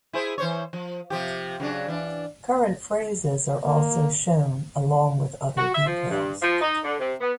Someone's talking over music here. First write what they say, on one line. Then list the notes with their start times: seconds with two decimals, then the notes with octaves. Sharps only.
Current phases are also shown along with other details.
0.13 E4 G#4 C5
0.38 E3 C5 C#5
0.73 F3
1.10 C3 F3 G4
1.60 C#3 F#3 D4
1.88 E3 D4
3.65 A#3
5.57 F#4
5.75 E5
5.86 F3
6.10 G2
6.42 F3
6.61 D#4
6.84 D3
6.99 C3
7.21 B3